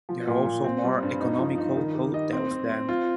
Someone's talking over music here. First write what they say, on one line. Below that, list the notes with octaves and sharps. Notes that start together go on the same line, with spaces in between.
There are also more economical hotels there.
F3
A#2
A#2
C4
G3
G2
D#4
F3
D#4
D#3
G4
D#5
C4
C4
C4
F4